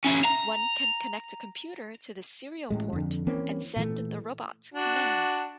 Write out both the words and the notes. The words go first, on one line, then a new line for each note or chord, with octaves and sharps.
One can connect a computer to this serial port and send the robot commands.
C#4 E4
A#5
A1 A2 G#3
F2 D3
E3 A#3 C4 C#4
A#2 E3 A3
D4 F#4